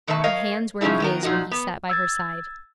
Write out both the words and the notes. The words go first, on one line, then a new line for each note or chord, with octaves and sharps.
Her hands were in his when he sat by her side.
B2 D#3 A3 B4 E5 A5
A#4 C#5 D#5 F5
C3 F3 C#4 D#4 E4 G#4
D#3 B3 A#4
A#2 F3 D#4 F#4
B3
E6 G#6 A6